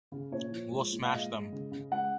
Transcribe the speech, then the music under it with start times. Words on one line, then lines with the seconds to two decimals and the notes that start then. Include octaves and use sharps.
We'll smash them.
0.12 C#3
0.32 A#2 C#5
0.52 F3
0.72 G#3
0.92 A#2
1.04 F5
1.12 G#3 D#5
1.31 G#3
1.52 C#3
1.72 C#3
1.91 G#3 F#5